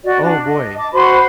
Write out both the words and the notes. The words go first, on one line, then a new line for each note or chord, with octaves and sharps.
oh, boy,
F#4 D5 D#5
D4
D#5
A5 D6
F#4 C5 B5 C6